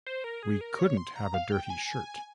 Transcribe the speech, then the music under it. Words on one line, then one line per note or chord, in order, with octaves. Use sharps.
We couldn't have a dirty shirt.
C5
A#4
G#4
A#4
C#5
C6
A#5
F5
G5
G#5